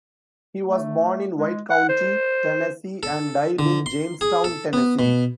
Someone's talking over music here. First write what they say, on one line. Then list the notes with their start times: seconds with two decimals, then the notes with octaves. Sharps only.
He was born in White County, Tennessee and died in Jamestown, Tennessee.
0.66 A3
1.36 G#3
1.70 F#5
1.89 C5
3.03 A4
3.59 D3
3.86 C6
4.21 G#4
4.44 A4
4.73 B3
4.99 B2